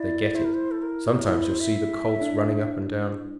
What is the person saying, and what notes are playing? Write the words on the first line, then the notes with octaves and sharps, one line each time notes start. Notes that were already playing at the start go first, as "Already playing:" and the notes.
They get it. Sometimes you'll see the colts running up and down.
Already playing: E4 D5
E4 C5
A#4
C5
A4
A#4
E4 A4
C5
E5
D4